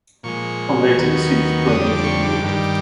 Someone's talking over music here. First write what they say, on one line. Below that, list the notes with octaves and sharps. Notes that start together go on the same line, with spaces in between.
On later issues the bird was removed.
A#2 F3 G#3 C#6
D#2 D#3 F#3 B3
F2 D3 G3 D#6
D6
C#6
D6
G2 D#3 G3